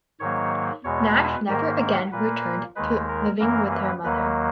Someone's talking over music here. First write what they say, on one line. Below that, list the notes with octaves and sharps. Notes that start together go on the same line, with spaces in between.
Nash never again returned to living with her mother.
G#2 D#3 F#3 A#3 C#5
E2 B2 G#3 C#5
B4
G#2 D#3 A#3 A#4
A#4
A#2 A#3 B4
D#2 D#3 G#3 B4
A#4
F#2 E3 A#3 A#4
B4
D#2 D#3 F#3 A#3 B4